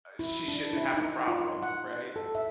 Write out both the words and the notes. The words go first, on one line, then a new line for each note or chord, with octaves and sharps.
uh, she shouldn't have a problem, right?
E4
D4
E4
D#4
F4
F#5
A4
E5